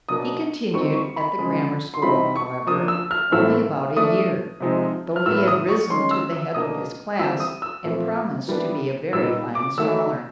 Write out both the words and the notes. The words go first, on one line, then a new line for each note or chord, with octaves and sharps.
He continued at the grammar school, however, only about a year, though he had risen to the head of his class, and promised to be a very fine scholar.
B2 F#3 A#3 D4 D#6
D3 G3 C4 D#4 C#6
C#6
B5
C#3 F3 G#3
C6
E3 G3 C4 D#4 B5
C#6
F3 A#3 D4 D#6
E6
F6
A2 E3 A3 C4 E6
F3 A3 D4 D#6
C3 F3 G#3 C4 D#4
F6
A2 F#3 B3 E6
D#6
C#6
D#3 G#3 C#4 C6
E6
E6
B2 F#3 A#3 D4 D#6
E3 G3 C4 E6
D#6
E6
A#2 F3 A3 C4
E3 G3 B3 D4
A#2 G3 B3 D#4 E6
D6
D#3 F#3 A3 E6